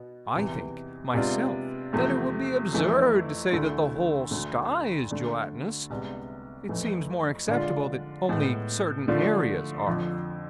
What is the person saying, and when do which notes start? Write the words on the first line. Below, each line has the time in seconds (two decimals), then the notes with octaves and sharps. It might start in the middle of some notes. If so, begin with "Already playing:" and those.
I think, myself, that it would be absurd to say that the whole sky is gelatinous: it seems more acceptable that only certain areas are.
Already playing: B2 B3
0.34 E2 C3 E3
1.14 C3 G#3 B3 D4 F4
1.93 E2 C3 F3 A3
2.73 F2 E3 A3 E4
3.53 D2 D3 A3 E4
4.31 D2 D3 A3
5.10 D3 A3 D4
5.90 C2 C3 G#3 B3 D4
6.69 F2 E3 A3
7.48 D3 G#3 D4 F4
8.29 A2 G#3 B3
9.08 D3 F3 A3 D4 F4
9.87 F2 D3 F3